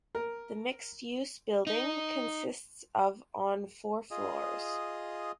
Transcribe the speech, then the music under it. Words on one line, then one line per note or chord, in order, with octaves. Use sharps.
The mixed use building consists of on four floors.
A#4
D#4
F4 G#4 D#5